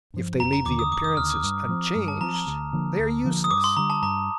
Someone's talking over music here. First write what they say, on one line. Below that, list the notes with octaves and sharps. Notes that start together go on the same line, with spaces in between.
If they leave the appearances unchanged they are useless.
G2 F3
F1 A#5
A#5
D#2 D3 D6
D#6
F1 D6
D#6
D#2 D3 F6
D6
G2
F3 C4
G2
A5
F3 C4 A#5
A#5
D2
D3 F3 A#3
D2
D3 F3 A#3
D#6
G2 D6
C6
D3 G3 A#5
A5
G2 A#5